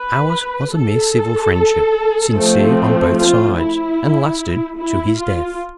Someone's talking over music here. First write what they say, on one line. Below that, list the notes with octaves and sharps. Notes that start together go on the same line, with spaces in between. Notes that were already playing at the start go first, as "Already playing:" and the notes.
Ours was a mere civil friendship, sincere on both sides, and lasted to his death.
Already playing: B4
A4
F3 A3 C4
F4
E4
E4
F4